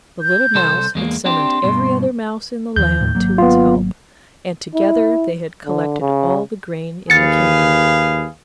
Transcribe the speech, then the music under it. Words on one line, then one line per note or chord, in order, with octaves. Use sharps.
The little mouse had summoned every other mouse in the land to its help, and together they had collected all the grain in the kingdom.
G6
C2 A4 C5
E2 G#3 A#3
C4 D4 G4 C6
G2 B2
D#2 D#3 F3 G6
D#2 A2 D#3
G#1 F#3 A#3
B3 F4
E4
D3
C#3
D#2 G#4 B4 F5 A6 C#7